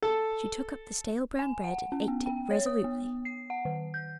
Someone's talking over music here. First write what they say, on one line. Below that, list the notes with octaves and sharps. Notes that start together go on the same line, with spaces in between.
She took up the stale brown bread and ate it resolutely.
A4
G#5
F#5
C#4
B3
G5
C#5
D#6
B3
C7
F#5
D#3
G6